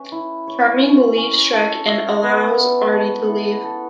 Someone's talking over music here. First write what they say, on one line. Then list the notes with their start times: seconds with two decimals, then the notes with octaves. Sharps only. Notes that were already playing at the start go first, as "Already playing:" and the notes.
Charming believes Shrek and allows Artie to leave.
Already playing: C#4 B4 E5
0.12 E4
0.47 C#5
0.83 C#4
1.17 C#4
1.53 A4
1.87 E5
2.23 B3
2.58 B3
2.93 A4
3.28 E4
3.64 A4